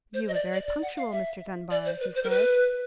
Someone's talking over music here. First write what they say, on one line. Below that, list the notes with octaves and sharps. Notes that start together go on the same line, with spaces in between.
"You are very punctual, Mr. Dunbar," he said.
C5
D#5
D5
D5
D5
F#5
F5
E5
D5
C5
B4
C5
A#4
B4